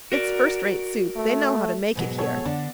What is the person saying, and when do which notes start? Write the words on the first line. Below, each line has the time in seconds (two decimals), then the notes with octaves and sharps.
It's first-rate soup, they know how to make it here.
0.12 F#4 A#4 D5
1.16 A3
1.95 G#2 B2 F#3
2.18 G#4 A4 C#5
2.45 D3 D4